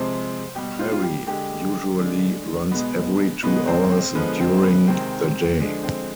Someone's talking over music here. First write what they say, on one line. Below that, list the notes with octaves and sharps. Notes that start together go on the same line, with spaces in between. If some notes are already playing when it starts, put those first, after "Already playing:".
The ferry usually runs every two hours during the day.
Already playing: C3 F3 G#3 C5
B2 G3 G4
F4
F4
G4
D3 G#3 G4
D3 G#3 D4
B2 G#3 B3
B2 G#3 B3
C4
C4
D3 F3 G#3 B3
C4
B3
C3 D#3 G#3 C4
D3 F3 G#3 D4
C4